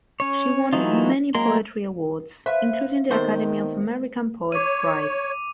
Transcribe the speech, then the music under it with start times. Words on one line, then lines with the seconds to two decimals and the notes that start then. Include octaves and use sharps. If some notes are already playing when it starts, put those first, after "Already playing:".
She won many poetry awards, including the Academy of American Poets Prize.
0.20 C#4 C#5
0.73 E3 F#3 A3 D#4 F4
1.35 F#3 G#3 A#3 A#4 C6
2.46 B4 C5 E5 F5
3.11 C3 D#3 A#3 B3 A4 A#4 C5
4.52 C#5 D6 D#7